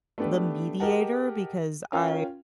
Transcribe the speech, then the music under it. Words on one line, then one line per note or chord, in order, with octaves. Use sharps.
the mediator, because I
A3 B3 D4 G4 B4
G4 G#4 A#4 D#5 F#5 A5
C#4 F4 A#4 F5 G5